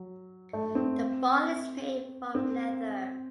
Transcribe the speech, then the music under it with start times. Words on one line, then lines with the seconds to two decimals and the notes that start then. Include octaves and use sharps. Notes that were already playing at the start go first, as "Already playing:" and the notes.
The ball is made from leather.
Already playing: F#3
0.53 A3
0.75 C4
2.35 C4